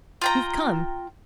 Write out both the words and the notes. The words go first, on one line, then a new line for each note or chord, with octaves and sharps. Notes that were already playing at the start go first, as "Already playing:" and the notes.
You've come.
F4 G5 A#5